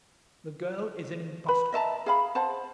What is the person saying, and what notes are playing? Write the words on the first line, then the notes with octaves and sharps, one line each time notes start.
The girl is an impostor.
B4 B5
D#5 E5 A5 A#5
G#4 F5 B5
C5 F#5 A5